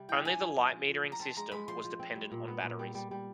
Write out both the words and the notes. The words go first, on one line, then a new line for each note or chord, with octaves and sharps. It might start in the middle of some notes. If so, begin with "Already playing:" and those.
Only the light metering system was dependent on batteries.
Already playing: C3 G3
E3 G5
D4 G#5
F3
F3
F3
F3
D4
A#5
C4 A5
G#3 A#5
G#3 B5
F3 C6
F3
C4
G3
A#2
B3
A#2
G3
G3
G3